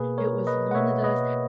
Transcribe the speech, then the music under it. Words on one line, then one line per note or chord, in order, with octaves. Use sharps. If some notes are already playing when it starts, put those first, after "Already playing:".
It was one of those
Already playing: B2 A#3 G#4 B4
A#4 C#5
B4 D#5
F#5
B2 A#3 C#5 E5
B4 D#5